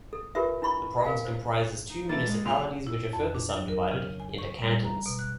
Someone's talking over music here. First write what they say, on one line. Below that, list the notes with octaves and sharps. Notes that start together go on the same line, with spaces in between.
The province comprises two municipalities which are further subdivided into cantons.
A4
F4 G4 A#4 B4 E5
D4 E4 B5 C#6
A#4 F5 G#5
C5
D#4
E3 A#3 A4 A6
G#3 C#5 D#5
F#2 A#2 C6 F7
E4
F2
D4
F#3
A#4
C#3
G#5
C#6
G3
A#5
B2
F#6